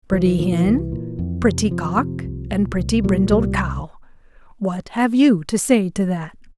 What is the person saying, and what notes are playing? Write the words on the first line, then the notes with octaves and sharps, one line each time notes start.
"Pretty Hen, pretty Cock, And pretty brindled Cow, What have you to say to that?"
C2 F3
E3
A#2 F3
E3
C2
A#2
F2
C3
F2 F3
C3
C2
A#2
C2
A#2 G3
C2 G3